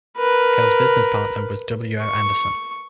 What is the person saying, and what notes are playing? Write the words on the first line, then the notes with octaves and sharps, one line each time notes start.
Kell's business partner was W. O. Anderson.
A#4 B4
C#6